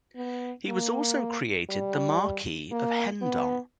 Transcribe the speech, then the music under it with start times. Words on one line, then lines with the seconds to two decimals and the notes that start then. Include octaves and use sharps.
He was also created the Marquess of Hedong.
0.16 B3
0.67 A#3
1.69 G3
2.71 A#3
3.22 B3